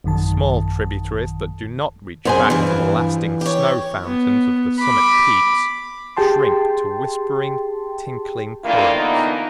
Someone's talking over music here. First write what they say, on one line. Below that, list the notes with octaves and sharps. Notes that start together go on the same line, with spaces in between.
The small tributaries that do not reach back to the lasting snow fountains of the summit peaks shrink to whispering, tinkling currents.
A1 F#2 D#3 A5
F#2 B2 G#4 C5 G#5
G2 E3 F3
G4 C#5
B3
B5 D6
G4 G#4 G5 A5 C6
D#3 E3 A3 A#3 D4 F4
D3 E3 A#3 B3 D#4